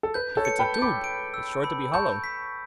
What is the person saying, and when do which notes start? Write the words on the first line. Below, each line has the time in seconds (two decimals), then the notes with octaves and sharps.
"If it's a tube, it's sure to be hollow."
0.03 A4
0.14 B4 G6
0.37 A4 C#5
0.45 C#7
0.59 G5 B5
0.74 G6
0.82 B5 D6
1.04 D7
1.34 E6
1.64 B5
1.94 A5 C#6 G6
2.24 B6